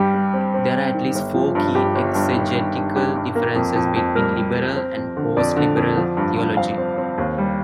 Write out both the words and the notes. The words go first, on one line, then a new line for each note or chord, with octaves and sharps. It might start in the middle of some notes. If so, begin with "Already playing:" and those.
There are at least four key exegetical differences between liberal and postliberal theology.
Already playing: G2 G3 G4
G3
C4
C4
C4
D#3
G1
F3
G2
G2 G4
G1
G2
D#3
G2
G2
G2 G4
G2
A#3
F2
F2
F2
G3 A#4
G3
G3
C4
F2
D3
F2 D5
D3
F2
F3
G2
G2
C4 F5
C4
C4
D#2
G3